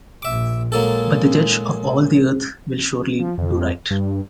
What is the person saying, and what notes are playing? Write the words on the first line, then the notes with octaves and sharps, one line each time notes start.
But the Judge of all the earth will surely do right.
A#1 A#2 E5 D6
A#2 F#3 G#3 A#3 A4
F3
F2
G2